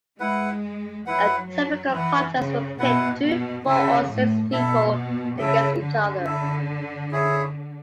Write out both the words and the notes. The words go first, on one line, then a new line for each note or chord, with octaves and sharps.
A typical contest would pit two, four or six people against each other.
G#3 E4 B4 F#5
F#3 E4 B4 F#5
F#3
E3 E4 B4 F#5
C#3
B2 E4 B4 F#5
B2
C#3 E4 A4 E5
A2
B2 E4 A4 E5
C#3 E4 A4 E5
D3
E4 A4 E5
E4 G#4 C#5 E5